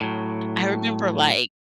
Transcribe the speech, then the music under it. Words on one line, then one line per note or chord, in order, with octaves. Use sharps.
I remember like
A2 F#3